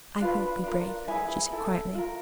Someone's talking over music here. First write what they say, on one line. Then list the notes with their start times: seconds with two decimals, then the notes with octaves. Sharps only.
"I will be brave," she said quietly.
0.20 D4 F4 B4
0.63 D4 F4 A#4
1.08 E4 G#4 B4 G#5
1.52 E4 A4
1.94 F4 A#4